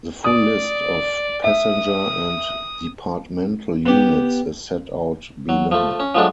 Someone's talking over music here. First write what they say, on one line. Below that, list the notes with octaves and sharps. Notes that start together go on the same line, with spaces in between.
The full list of passenger and departmental units is set out below.
D5 D#6
E5 D#6
B3 G4
F#3
F3 A3
C#4
F3 F#3 G#3 A3 D4